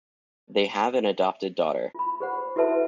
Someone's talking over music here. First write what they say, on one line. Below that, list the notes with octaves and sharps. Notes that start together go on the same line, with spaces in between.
They have an adopted daughter.
F4 B5
G4 C5 F#5
E4 F#4 A4 B4 E5 A5